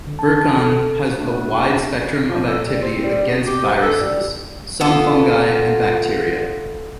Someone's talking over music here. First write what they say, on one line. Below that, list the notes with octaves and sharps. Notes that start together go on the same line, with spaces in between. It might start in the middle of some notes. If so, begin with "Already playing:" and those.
Virkon has a wide spectrum of activity against viruses, some fungi, and bacteria.
D3
A5
A4
F#3 A3 B3 D4
F3
A4
G3
C4
G3
B2
G4
C3
A4
G3
B3 F4 A4